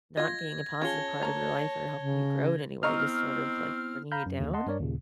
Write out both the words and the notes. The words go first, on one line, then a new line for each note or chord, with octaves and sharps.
not being a positive part of your life or helping you grow in any way, just sort of, like, bringing you down.
F4 D#5 G#6 A#6
C#4 F4 G#4 C#5 A5 G#6 G7
A3 A#3 A#5
C#3
B3 C4 E4 D#5 A#5 C#6 F6
F5 A#5 B5 F6 G6
F#2
D#2 D3
D#5 F#5 A5 C6
G2 D4 A#4 C#5 D5
D#2 A#2 C#3